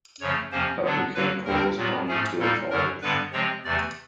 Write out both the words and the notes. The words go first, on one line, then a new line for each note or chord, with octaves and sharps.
But we can cause one to evolve.
F#2 C#3 F3 A3 C#5
F2 C3 F3 A#3 C#4 C5
D3 F#3 B3 D4
D3 F#3 A#3 B4
D#2 D3 G3 C4 A#4
A#2 F#3 B3
G#2 F3 A3 C#4 G#4
A#2 G3 A#3 D#4 A4
F#2 D3 F#3 A#4
G2 D3 G3 B3 B4
C3 F3 G#3 C4 C#5
E2 C3 E3 A3 D5